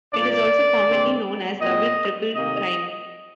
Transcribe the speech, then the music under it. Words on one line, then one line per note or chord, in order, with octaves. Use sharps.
It is also commonly known as double triple rhyme.
A#2 F3 A#3 D5
D3 G#3 C4
A#2 G#3 C4 D#5
C3 D#3 A#3 D#5